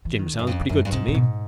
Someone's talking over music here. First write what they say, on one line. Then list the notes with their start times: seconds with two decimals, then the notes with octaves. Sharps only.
Jim sounds pretty good to me.
0.05 E3
0.19 D#3
0.33 D3
0.39 F#2
0.47 F2 C#3
0.69 F#2 C#3
0.85 G2
0.92 G#2 C3
1.08 C3
1.14 B2